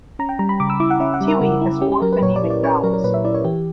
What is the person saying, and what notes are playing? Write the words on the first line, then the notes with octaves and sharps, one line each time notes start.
Tiwi has four phonemic vowels.
C#4 A#5
G5
G3 A#5
B5
C#3 D6
E6
E4 D6
F#5
C#4 E5
F#5
G3
A#4
C#3 A#4
E4
C#4 G4
G4
F#3 A#4
B4
A#2 C#5
D5
E4
D5
C#4 C#5
F#3 A#4
A#4
A#2 B4
E5
E4 D5
C#5
E3 G4